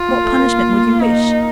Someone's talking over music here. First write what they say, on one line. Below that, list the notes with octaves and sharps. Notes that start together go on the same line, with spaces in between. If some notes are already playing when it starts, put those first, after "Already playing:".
"What punishment would you wish?"
Already playing: F4
A#3
A3
A#3
D#4